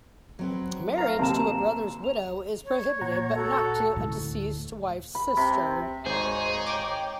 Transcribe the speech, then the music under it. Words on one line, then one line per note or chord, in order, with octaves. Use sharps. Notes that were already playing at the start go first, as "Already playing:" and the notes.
Marriage to a brother's widow is prohibited, but not to a deceased wife's sister.
F#3 C4 B4
F5 A#5
D#2 C3 A5 A#5 E7
F7
C#5
A#2 F#5 A#5
F#4 A4
D2 A2
B5
C3
G#1 D#4 G#4 C5 C#5
G5 D6